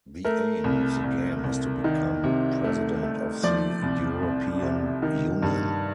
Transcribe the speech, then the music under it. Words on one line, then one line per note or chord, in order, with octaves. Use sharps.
The aim of the game is to become President of the European Union.
A3 A#4
C2
C2
C2
D#3
C3
A3
A3
F3 D5
C2
C2
C3
D#3
G2